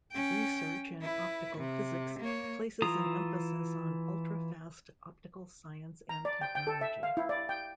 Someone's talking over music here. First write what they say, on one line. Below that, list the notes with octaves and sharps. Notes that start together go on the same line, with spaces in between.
Research in optical physics places an emphasis on ultrafast optical science and technology.
C#4 G5
E4 B4
C3
A#3 C#5
E3 F4 A#5 D#6
A#5
D5
G5
G5
A4
E5
F5
E4
D5
G5